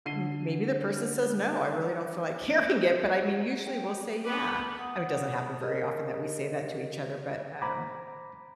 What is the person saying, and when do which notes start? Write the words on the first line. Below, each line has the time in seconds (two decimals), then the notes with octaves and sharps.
m maybe the person says, "No, I really don't feel like hearing it," but, I mean, usually, we'll say, "Yeah." I mean, doesn't happen very often that we say that to each other, but, um,
0.06 D3 C7 D#7 G7
3.64 G5
4.24 B3 B4 B5 D6
4.79 F#5 D#6
5.61 G4 G#4 A#4 D#5
7.62 C5 A#5 B5 D6